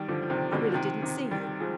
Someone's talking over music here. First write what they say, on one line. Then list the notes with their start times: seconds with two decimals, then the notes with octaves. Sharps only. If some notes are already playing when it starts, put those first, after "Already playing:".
I really didn't see you.
Already playing: D#3 G3
0.08 D3 F3
0.22 F3
0.30 C3 D#3
0.52 B2 D3
0.69 F3
0.74 C3 D#3
1.02 C3 D#3
1.31 D#3 G3
1.60 F3 G#3